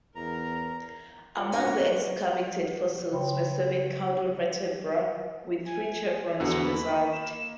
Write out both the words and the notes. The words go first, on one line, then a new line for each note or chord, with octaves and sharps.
Among the excavated fossils were seven caudal vertebrae with three chevrons preserved.
E2 A#4 A#5
F4 C#5 D6
A#3 D4 F#4 G#5 A#5
C#5 F#5
C#3 C#5 G5 B5 C6
G#5
E2 D3 F#4 E6
A#3 B5
E7